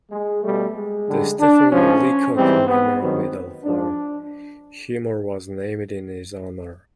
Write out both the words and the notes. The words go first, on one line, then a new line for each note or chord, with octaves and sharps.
The Stephen Leacock Memorial Medal for Humour was named in his honour.
G#3
B2 G3 A3
G#3
F#2 D3 G3
D4
G#2 F3 C#4
G#2 E3 G3 C4
B3
G#2 D#3 F#3 C4
G#2 F3 D4